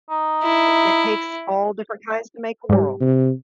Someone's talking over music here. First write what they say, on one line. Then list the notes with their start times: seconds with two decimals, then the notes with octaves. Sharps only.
it it takes all different kinds to make a world.
0.10 D#4
0.43 E4
2.69 G#2 G3
3.01 C3